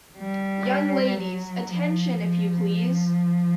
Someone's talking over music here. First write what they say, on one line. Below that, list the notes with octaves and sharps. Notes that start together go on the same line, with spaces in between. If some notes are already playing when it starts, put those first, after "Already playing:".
Young ladies, attention, if you please!
G3
F#3
F3
F3